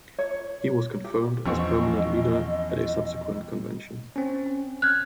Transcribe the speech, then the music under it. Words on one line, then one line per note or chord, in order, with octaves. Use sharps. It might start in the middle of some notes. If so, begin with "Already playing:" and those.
He was confirmed as permanent leader at a subsequent convention.
C#5
G4
A1 E2 F3 C4 D#5 C#6
C4 C#4
F6 F#6 G#6